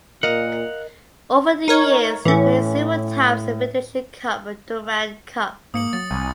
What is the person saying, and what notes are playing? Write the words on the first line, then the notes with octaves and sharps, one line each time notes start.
Over the years they played several times in the Federation Cup and Durand Cup.
A#2 A#4 D#5 F5 F#5
D#4 A#4 C#5
A2 E3 C#4
G#2 A#3 D#6 C#7 F#7
F#3 A6
C2 G#5